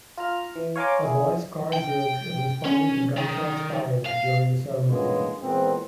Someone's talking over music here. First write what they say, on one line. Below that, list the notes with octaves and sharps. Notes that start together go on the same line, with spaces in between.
A boys choir group is responding to gunshots fired during a ceremony.
F4 A#5 F6
E3
C#5 F5 G#5 A#5 C6 D6
E4 G#4
G5
C#4
D#3
F5
G2 C#3 E3 G#3 A#3 B3
A#2 E3 G#3 B3 C4